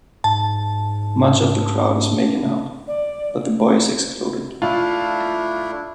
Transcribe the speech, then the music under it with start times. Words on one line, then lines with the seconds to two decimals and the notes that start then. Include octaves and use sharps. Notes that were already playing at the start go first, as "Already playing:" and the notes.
Much of the crowd is making out, but the boy is excluded.
0.24 G#2 A5
2.87 D5
4.62 A3 D4 E4 F4